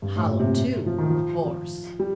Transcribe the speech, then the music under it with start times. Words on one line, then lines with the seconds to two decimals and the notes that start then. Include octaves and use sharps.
"Hollow, too, of course?"
0.02 G2
0.16 A2
0.30 A#2
0.39 C3
0.86 F3
0.98 D#3
1.09 F3
1.44 F3
2.00 G3